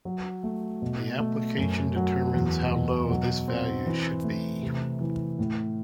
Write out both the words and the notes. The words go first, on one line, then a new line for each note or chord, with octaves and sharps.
The application determines how low this value should be.
F#3
A3
B2
A3
F#2
F#3
E2
B2
F#3
C4
E3
A3
C3
E3
A2